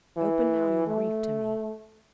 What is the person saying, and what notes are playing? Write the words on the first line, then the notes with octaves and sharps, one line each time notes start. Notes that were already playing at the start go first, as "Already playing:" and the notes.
Open now your grief to me.
E3
A3